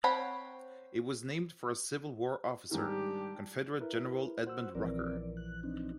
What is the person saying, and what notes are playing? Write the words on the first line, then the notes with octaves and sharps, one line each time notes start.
It was named for a Civil War officer, Confederate General Edmund Rucker.
C4 C#5 F#5 B5
G#2 D#3 G3 D4 G4
E4 A#4 B4
F#4 C5 F#5 E6
A#1 E3 F3 C4 A#4 D5
F#6
C4 D4 D#4